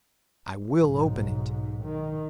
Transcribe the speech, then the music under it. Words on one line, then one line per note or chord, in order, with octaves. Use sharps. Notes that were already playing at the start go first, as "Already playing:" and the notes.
I will open it!
B1 G#2
D#3